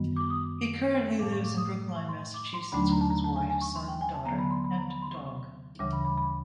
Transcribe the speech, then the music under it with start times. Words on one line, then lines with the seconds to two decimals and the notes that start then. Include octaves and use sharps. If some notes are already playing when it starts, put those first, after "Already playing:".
He currently lives in Brookline, Massachusetts with his wife, son, daughter, and dog.
Already playing: F#2 D#3 G3 B3
0.16 D6
0.30 D#6
1.19 A2 F3 A3 D6
1.32 C#6
1.44 D6
1.57 D#6
1.96 C#6
2.09 C6
2.34 D6
2.54 C6
2.72 D#2 D3 F#3 A3 D4 B5
2.92 A#5
3.01 A5
3.10 A#5
3.24 A5
3.36 G#5
3.50 G#5
3.61 C#6
3.75 C6
3.88 G5
4.01 G#5
4.14 A5
4.25 D3 F#3 B3 A#5
4.39 B5
4.51 C6
4.64 B5
4.78 A#5
4.90 B5
5.02 C6
5.15 C#6
5.79 D2 C#3 E3 G3 D6
5.93 B5
6.05 B5
6.17 B5